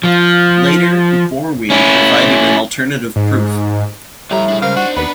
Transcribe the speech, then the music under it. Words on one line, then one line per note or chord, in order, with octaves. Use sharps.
Later, Borwein provided an alternative proof.
F3
C#4 E4
G#2
F2 A2 G3 E5 A#5
D4 G#4
C#2 C#3 A#4 C5 F5
D4 D#4 F#4
D#2 B3 B4